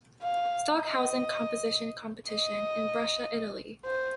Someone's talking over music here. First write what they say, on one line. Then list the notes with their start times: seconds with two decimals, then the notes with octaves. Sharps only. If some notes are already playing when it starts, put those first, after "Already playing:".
Stockhausen Composition Competition in Brescia, Italy.
0.22 F5
0.75 D#5
2.30 D#5
3.86 C5